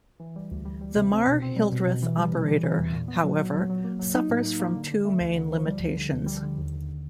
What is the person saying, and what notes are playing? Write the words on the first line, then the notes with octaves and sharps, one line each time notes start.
The Marr-Hildreth operator, however, suffers from two main limitations.
E3
G3
D2
G3
G3
C3
C4
B2
C4
G3
B2
B2
E3
G3
C3
G3
E3
E2
A#2
B3
F#3
F#3
F#3
F#3
A#3
F#3
D#4
A2
A#3
A#3
D3
D3
A3
D2
D3
F3
G3
D2
D3
D2
G3
D3
D#2
D#2